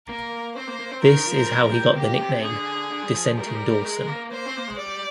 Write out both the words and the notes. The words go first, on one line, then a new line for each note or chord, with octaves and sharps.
This is how he got the nickname "Dissenting Dawson".
A#3 A#4
C4 C5
A#3
A#3
C4
D#3 A#4
F3
G3
F3
G3
C4
A#3 G4
C3
D3 G#4
D3
G3
F3
G3 A#4
G#3
G3
G#3
A#3
A#3 C5
C4
A#3
G#3
G3 D5